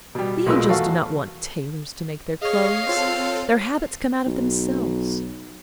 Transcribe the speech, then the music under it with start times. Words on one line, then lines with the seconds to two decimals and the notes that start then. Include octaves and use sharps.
The angels do not want tailors to make their clothes: their habits come out of themselves.
0.15 B2 G3
0.46 B1 A#2 G#3 B4 E6
0.68 E2 A3 F#4 F5
2.41 G#4 C#5 D#5 F5
2.87 C4 F4 A4 C#5
4.26 B1